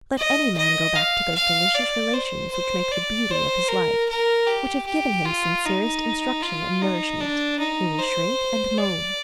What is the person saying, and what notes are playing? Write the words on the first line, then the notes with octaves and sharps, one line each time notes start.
Let any man go back to those delicious relations which make the beauty of his life, which have given him sincerest instruction and nourishment, he will shrink and moan.
D#5
D#5
F5
F5
D5
C5
C5
D5
C5
A#4
A#4
G4
G4
F4
D#4
F4
D#4
D4
D#4
C5
D5